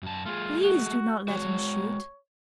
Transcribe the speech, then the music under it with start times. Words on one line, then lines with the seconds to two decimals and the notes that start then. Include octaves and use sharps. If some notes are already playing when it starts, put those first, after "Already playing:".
"Please do not let him shoot!"
0.03 F#2 A5
0.26 A3 F4 G#4
0.65 F#4
1.28 G#3 F#4 C#5